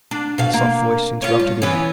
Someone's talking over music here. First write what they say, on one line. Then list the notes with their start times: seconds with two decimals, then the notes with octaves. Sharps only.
The soft voice interrupted him.
0.11 D4
0.38 B2 F5
0.54 A#3
1.22 C#4 F4
1.40 G2
1.62 E3 B3 C#4